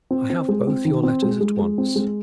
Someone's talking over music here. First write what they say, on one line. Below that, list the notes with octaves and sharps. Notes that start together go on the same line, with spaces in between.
I have both your letters at once.
C4
C4
G#3
C4
D#3
C4
G#3
G#3
G#3
C4
G#3